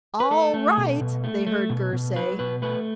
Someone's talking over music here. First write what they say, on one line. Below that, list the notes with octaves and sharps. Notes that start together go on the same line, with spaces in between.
"All right!" they heard Gurr say.
B4
A3 A4
A3
B2
B2
A3
A3
B2
B2
F#3 B4
B2 B4
A3 B4